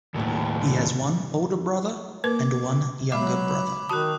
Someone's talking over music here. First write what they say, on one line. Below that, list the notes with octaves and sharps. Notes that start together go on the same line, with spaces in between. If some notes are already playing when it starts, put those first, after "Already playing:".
He has one older brother and one younger brother.
D#2 A2
A#3 A#4 B4 D6
F#3 G#3 E5 B5 D6
D#3 F#4 A5 D#6 F#6